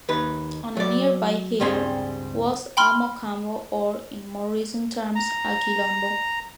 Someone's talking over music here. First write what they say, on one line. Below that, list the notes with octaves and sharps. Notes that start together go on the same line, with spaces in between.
On a nearby hill was a mocambo or, in more recent terms, a quilombo.
D#2 D#4 B4
F#3 D5
C#2 G2 G3 C4 G#4 C6
G5 B5 C6 F6
A#5